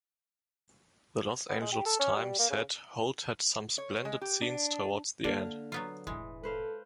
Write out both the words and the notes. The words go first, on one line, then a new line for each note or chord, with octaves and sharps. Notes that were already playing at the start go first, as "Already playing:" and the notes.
The "Los Angeles Times" said Holt had "some splendid scenes towards the end".
B3
G#3
G4
A4
C#4
G3
A#3
C#3
C#5
G#3
G4
D4
D3 A#3 D4 F5
F#3 B3 F4
E1 A2 E3 G#3
A4 B4 C5 F5